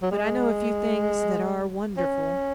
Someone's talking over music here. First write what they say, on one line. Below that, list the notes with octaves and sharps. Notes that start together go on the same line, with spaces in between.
But I know a few things that are wonderful.
F#3
G#3
C#4